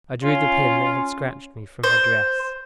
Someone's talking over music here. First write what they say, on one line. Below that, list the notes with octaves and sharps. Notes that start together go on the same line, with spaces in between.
I drew the pin that had scratched me from her dress.
C#4 F4
C5